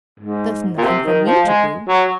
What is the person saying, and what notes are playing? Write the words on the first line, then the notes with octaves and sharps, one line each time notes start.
There's nothing for me to do.
G#2
A#2
C3
D#3
F3
G#3
F#3